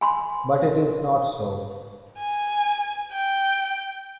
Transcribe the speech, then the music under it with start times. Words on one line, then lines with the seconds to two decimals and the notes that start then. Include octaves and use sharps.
But it is not so.
0.01 G#5 B5 C6
2.19 G#5
3.12 G5